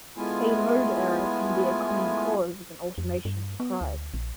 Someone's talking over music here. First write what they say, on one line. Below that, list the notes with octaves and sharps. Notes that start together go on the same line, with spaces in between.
A mode error can be a common cause of an automation surprise.
G#3 A3 B3 E4 F4 G#5
F2
G2
B3
D2
A#1